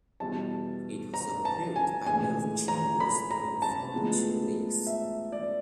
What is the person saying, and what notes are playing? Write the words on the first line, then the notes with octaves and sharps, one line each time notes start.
It was approved by both chambers during the following two weeks.
E2 B2 G3 A5
A#5
A5
G#5
A#1 A2 E3 G#3 G#5
A#5
B5
A#5
A5
A2 F3 G#3 B3
E5
D5